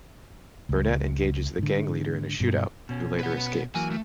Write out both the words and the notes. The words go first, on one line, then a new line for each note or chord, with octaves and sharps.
Burnett engages the gang leader in a shootout, who later escapes.
C#2
G#2 D3
G2 B2
B2 C#4
B4 F#5
E3 F#3 A#3 G#5
A3